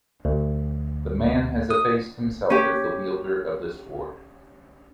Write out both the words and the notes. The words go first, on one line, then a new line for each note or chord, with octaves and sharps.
The man has effaced himself as the wielder of the sword.
D2
D#6
C#4 G4